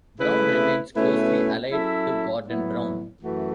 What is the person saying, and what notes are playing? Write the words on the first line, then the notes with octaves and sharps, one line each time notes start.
Brown remains closely allied to Gordon Brown.
C#3 A3 E4 B4 E5
B2 A3 C#4 E4 B4
F#3 C#4 E4 A4 E5
A2 F#3 B3 E4
F#2 E3 A3 F#4